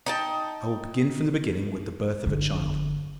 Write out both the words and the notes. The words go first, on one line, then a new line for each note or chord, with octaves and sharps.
I will begin from the beginning with the birth of a child.
D#4 G5 A5
G1 D3